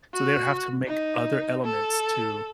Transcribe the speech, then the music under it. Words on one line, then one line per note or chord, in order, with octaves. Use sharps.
so they would have to make other elements to
F#4
D#4
A4